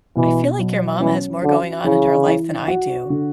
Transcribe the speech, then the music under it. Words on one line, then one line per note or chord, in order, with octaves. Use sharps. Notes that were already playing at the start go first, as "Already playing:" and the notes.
I feel like your mom has more going on in her life than I do-
B2 E3
F#3
E3 C#4
D3 F#4
C#3 E3
E3
F#4
D3